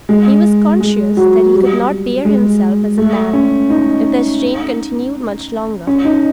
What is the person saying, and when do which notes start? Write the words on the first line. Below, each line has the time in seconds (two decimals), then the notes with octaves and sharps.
He was conscious that he could not bear himself as a man if the strain continued much longer.
0.09 G#3
0.80 G#3
1.17 F#3
1.53 G3
2.25 G#3
2.98 A3
3.33 C#4
3.70 D#4
5.87 C#4
6.05 D#4